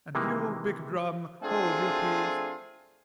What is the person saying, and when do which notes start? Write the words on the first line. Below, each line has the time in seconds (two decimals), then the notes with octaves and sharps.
And you, big drum, hold your peace!
0.15 C3 D#3 E3 G#3 A#3
1.43 A3 C4 D4 F4 G#4